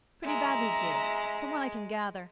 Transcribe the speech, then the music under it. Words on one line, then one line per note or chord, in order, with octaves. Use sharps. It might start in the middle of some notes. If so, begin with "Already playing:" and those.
'Pretty badly too, from what I can gather.
G#3 E5 A#5